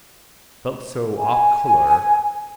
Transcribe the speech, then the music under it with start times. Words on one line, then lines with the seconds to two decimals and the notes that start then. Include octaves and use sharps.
Felt so off colour.
1.18 G#5